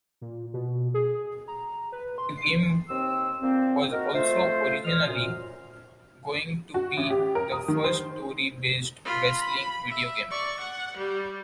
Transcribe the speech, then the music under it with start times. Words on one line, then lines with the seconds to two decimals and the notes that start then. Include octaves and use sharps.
The game was also originally going to be the first story-based wrestling video game.
0.21 A#2
0.54 B2
0.94 G#4
1.48 A#5
1.92 B4
2.18 C6
2.37 C7
2.89 D#2 C4 E6
3.41 D3 F3 A#3 C4
3.92 D#4 F#4 A#4
4.14 A3 F4 C5
4.85 D3 C5 D#5 F6
5.06 F#2 A#2
6.74 F#4
6.97 A1
7.10 G4
7.35 A#4
7.52 D#6
7.68 D#3
7.84 C5
9.05 F4 B5
9.39 B5
9.90 E5
10.31 D5 C#6
10.60 F#5
10.97 G3